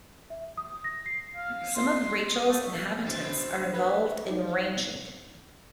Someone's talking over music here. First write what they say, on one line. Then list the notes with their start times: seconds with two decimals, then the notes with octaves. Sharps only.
Some of Rachel's inhabitants are involved in ranching.
0.30 E5
0.58 D#6
0.84 A#6
1.06 C7
1.36 F5
1.76 C6
2.35 D#6
2.50 A3
3.04 A#2 B3 C4 D4 C5
3.73 B4
4.29 D#4 G#4 C#5 D5